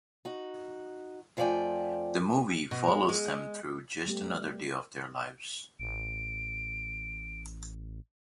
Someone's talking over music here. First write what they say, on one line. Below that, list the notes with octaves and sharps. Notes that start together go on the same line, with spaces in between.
The movie follows them through just another day of their lives.
D#4 F#4
F2 F3 A3 D5 G5 G#5
B2
G#3
G#3
G3 A3 B3 G4
A1 D7